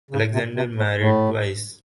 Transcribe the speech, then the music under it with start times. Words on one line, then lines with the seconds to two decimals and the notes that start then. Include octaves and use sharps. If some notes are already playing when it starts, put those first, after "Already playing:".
Alexander married twice.
0.11 C#3
0.32 C3
0.55 C3
0.75 A2
0.98 A2